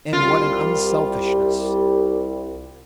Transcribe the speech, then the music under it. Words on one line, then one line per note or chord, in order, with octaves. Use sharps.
And what an unselfishness!
C2 G3 F4